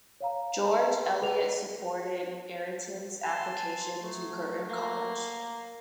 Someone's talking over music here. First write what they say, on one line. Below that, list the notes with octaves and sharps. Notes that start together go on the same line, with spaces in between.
George Eliot supported Ayrton's application to Girton College.
C#5 F5 A#5
D#5 A5 A#5
G#4 B4 F7
A5 C6
F#3 A3
A#3